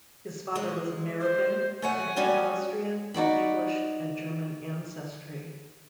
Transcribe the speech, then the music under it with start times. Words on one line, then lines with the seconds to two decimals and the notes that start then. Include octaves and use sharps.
His father was American and had Austrian, English, and German ancestry.
0.56 G#3
1.20 C5
1.82 A3 C#5 F#5 G#5
2.16 G3 C#4 F#4
3.14 D#4 F#4 D5 B5